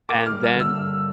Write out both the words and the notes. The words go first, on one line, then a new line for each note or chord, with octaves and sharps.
and then
A#3 D6
F6
G3
F6
D3
E6
G2